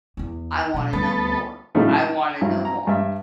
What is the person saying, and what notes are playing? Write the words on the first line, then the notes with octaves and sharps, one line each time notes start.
"I want to know more. I want to know more."
E2 B3
B2 F#3
D2 G3 B3 A4
A2 C#3 F#3 A3 C#4 D#4
A5
G2 F#3 E4
A#5
G2 E5